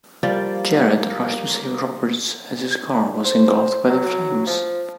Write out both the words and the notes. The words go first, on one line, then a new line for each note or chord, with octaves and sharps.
Jarrett rushed to save Roberts as his car was engulfed by the flames.
F3 G3 A#3 D5
C5
F#3
F3